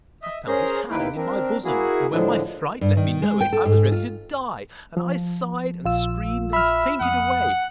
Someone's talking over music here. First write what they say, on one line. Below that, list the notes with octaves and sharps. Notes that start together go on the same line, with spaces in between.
I found his hand in my bosom; and when my fright let me know it, I was ready to die; and I sighed and screamed, and fainted away.
D#5 E5
C#4 G#4 A#4 C5 A#5
D#2 D#3 A#3 E4 B4 G5
C4 D4 A#4
A#3 E4 F#4 G#4
A2 D3 F3 G#3 D4
G2
D#3
G#3
G5
A4
G#2
F4
F3
A#1 F4 E6
E5 B5 F6
F2 F#5 D#6